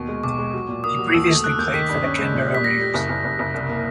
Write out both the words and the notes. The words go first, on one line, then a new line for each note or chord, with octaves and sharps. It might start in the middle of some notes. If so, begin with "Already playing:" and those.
He previously played for the Canberra Raiders.
Already playing: D#2 B2 C#6
G#3
B1 D6
G#3
F#3
A#2
A#3 D#6
F#3
D#2 E6
A3
A3 F#6
D#2 G6
D#3 B6
G2
C#4
G#3
A#2
G3
B6
G3 A#6
G3
F#1
F#1
F#1
F#1
C2
A#3